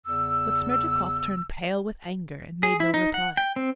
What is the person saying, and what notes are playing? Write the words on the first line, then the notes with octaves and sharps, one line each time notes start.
But Smerdyakov turned pale with anger, and made no reply.
E2 C#3 E6
G#4
E4
D#4
F#5
G5
C4